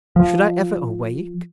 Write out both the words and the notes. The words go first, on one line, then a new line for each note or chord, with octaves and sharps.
Should I ever awake?
F3